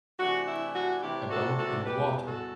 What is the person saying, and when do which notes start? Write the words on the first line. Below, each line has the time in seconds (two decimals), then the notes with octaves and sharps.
A boat in the water.
0.19 C3 E3 A3 D4 F#4
0.48 E4
0.75 F#4
1.02 C3 E3 A3 D4 E4 G4
1.30 F#4 A4
1.58 F#4 A4
1.85 E2 B2 G3 G4 B4
2.27 F#4 A4